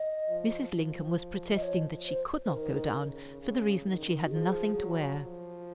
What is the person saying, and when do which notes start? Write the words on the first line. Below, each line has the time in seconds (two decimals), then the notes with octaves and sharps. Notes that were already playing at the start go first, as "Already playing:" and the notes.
Mrs. Lincoln was protesting that she could not go down, for the reason that she had nothing to wear.
Already playing: D#5
0.29 F3
0.73 F3
1.56 D#5
1.63 C#5
2.08 C5
2.45 C5
2.52 D#3 A#4
2.97 C#3
3.41 C#3
3.87 D#3
4.25 F#4
4.31 F3 G#4
4.76 F#3
5.22 F3